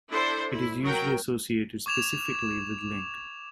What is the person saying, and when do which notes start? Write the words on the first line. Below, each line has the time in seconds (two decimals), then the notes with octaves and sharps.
It is usually associated specifically with Link.
0.11 D4 E4 A4 C5
0.51 E4
0.83 F#3 A#4 G5
1.86 C#6 D6 G#6 E7 F7